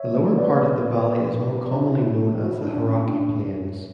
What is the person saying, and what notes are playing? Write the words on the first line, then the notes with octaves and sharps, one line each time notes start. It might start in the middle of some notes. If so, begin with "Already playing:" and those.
The lower part of the valley is more commonly known as the Hauraki Plains.
Already playing: C#5 E5
A3
B3 B4 D5
D4 C#5 E5
E4
E4
F#4
E4
D4
D4
C#4
D4